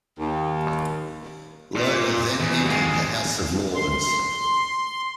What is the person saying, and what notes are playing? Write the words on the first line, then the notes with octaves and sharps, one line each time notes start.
Loder then entered the House of Lords.
D#2
A#2
E2
D#2 G#3
C6